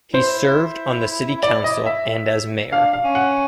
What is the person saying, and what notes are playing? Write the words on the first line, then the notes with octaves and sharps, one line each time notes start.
He served on the city council and as mayor.
E4 C5
D5
D#5
E5
D4 F5
F5
C#4
F#5